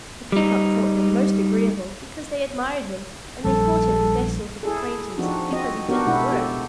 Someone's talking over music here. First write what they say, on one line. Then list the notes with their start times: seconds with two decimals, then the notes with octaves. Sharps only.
The Peacock thought them most agreeable, because they admired him, and they thought him the best sort of acquaintance, because he didn't work.
0.32 G3 D#4
3.44 A#1 G3 A4
4.63 E4 G#4 A4
5.18 F3 C4 D4 D#4 F#4
5.52 C4 F#4 D#5
5.89 B3 D4 F#4 G4 A#4
6.06 B2 G#3 D4 E4 F#5
6.32 G4 A4